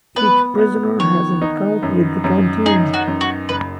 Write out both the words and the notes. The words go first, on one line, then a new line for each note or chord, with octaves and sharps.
Each prisoner has an account with the canteen.
B3 B4
B3
D#3 C#5
D#4
F#2
F#2
D#4 G#4
F#4
F#2
F#4
F#1 B4